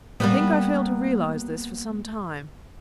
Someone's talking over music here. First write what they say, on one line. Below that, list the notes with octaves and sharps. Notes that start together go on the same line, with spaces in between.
I think I failed to realize this for some time.
G3 A#3 B3